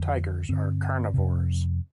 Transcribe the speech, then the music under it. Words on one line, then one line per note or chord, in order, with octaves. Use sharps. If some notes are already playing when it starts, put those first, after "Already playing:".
Tigers are carnivores.
Already playing: F2 D3
G2 D3 C4
F2 C3